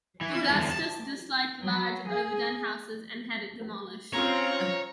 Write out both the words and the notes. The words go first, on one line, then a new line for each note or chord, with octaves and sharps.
Augustus disliked large overdone houses and had it demolished.
E3 E4
E2 D3
A5
F#3
G#4
C4 C#4 F4 C#5 A#5